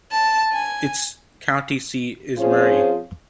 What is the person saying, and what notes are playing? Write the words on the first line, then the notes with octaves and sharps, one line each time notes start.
Its county seat is Murray.
A5
G#5
F3 C4 C#4 F4 G#4 C5